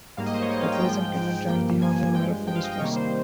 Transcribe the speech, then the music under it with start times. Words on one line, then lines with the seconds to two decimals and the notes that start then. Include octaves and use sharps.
The person cannot join the army or a police force.
0.17 G#2 G3 A#3 F5
0.26 D#5
0.34 C5
0.42 C#5
0.50 G#2 G3 A#3 D#5
0.61 F5
0.72 G5
0.84 G#2 F3 G#3
1.16 G#2 F3 G#3
1.48 G2 F3 A#3 G5
1.81 G2 F3 A#3 G#5
2.14 G2 F3 G#3 G5
2.47 G2 F3 G#3 G5
2.55 F5
2.64 D#5
2.71 G5
2.79 C3 D#3 G3 A#3 C#5
2.96 C5